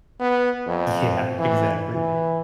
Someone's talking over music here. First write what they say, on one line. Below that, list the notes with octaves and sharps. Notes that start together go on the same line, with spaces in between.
Yeah. Exactly.
B3
F2
E3
E3